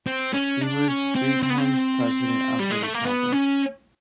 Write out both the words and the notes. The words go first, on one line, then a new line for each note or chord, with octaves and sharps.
He was three times President of the Republic.
C4
C#4
D4
C#4
C4
C4
B3
C4
G3
G#3
A3
A#3
B3
C#4